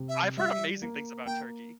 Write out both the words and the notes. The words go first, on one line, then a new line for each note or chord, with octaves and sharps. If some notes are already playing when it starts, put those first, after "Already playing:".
I I've heard amazing things about Turkey.
Already playing: C3
E5
G3 E5
A#3
A#3 G5